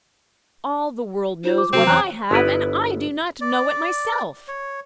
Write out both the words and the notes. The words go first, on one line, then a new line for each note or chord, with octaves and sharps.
"All the world knows what I have, and I do not know it myself!"
D#4 F4 C5
D6
C3 F#3 C4 F#4
E2 C#5 G5 A#5 F#6
G1 B3 E4 B4
D5
C#5